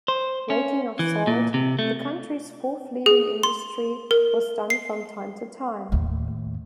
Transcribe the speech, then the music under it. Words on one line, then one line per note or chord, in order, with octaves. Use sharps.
Raking of salt, the country's fourth-leading industry, was done from time to time.
C5
C#4
E3
A#2
C3
A3
G#4
C6
A#4
C7
D#2 A2